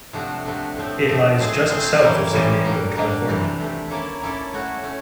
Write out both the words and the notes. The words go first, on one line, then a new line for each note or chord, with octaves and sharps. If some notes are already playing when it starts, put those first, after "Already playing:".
It lies just south of San Diego, California.
C3 F3 A3 D4 F#4
C3 F3 A3 D4 F#4
A2 F3 A3 C4
A2 F3 A3 C4
A3 C4 F4 G#4 C5
A3 C4 F4 G#4 C5
A2 E3 G3 A#3 C#4
A2 E3 G3 A#3 C#4
G3 A#3 D4
G3 A#3 D4
C3 E3 A3
C3 E3 A3
A#3 C#4 E4 A4 D5
A#3 C#4 E4 A4 D5
A3 C#4 F#4
A3 C#4